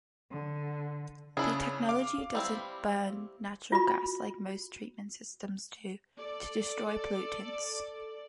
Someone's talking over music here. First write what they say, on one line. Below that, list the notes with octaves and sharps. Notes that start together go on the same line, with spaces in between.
The technology doesn't burn natural gas like most treatment systems do to destroy pollutants.
D3
C#3 D4 E4 G#4
F5 D6
G3 C4 E4
F4 F#4 B5
A4 D5